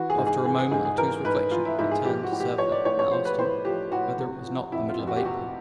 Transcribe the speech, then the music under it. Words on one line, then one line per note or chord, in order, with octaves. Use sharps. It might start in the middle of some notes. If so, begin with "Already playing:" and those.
After a moment or two's reflection, he turned to Servadac and asked him whether it was not the middle of April.
Already playing: E3 F#4
G#4
G#2
G#4
E3 G#4
G#4
G#2 G#4
G#4
E3 A#4
G#2 B4
E3 F4
E4
G#2 E4
G#4
F3 G4
F#4
A2
G4
F3 C#5
D5
A2 C#5
C#5
F3 C5
B4
A2 C5
F3 G4
A2 F#4
C3
F3
F2 E4
F4
F2
F#4
G4
C3 F#4